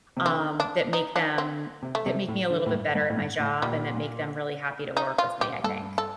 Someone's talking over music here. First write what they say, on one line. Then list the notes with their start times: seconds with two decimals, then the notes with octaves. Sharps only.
Um, that make them that make me a little bit better at my job and that make them really happy to work with me, I think.
0.17 C3
0.26 D3 C4
0.60 D4
0.93 D#4
1.16 D4
1.38 C4
1.82 C3
1.95 A3
2.06 C3
2.28 A2
2.50 D3
2.66 A2
2.72 G2
2.95 G2
3.10 A2
3.17 G2
3.40 A2
3.62 A#2 G3
4.97 D#4
5.18 F4
5.41 G4
5.64 G2 A4
5.98 A4